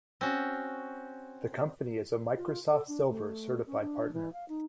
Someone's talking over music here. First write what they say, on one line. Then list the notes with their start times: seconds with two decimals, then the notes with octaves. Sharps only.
The company is a Microsoft Silver Certified Partner.
0.21 C4 C#4 F#4
2.37 F4
2.71 A4
2.88 D4
3.09 A3
3.67 C#4
3.81 D4
4.13 E3
4.33 F5
4.48 D#4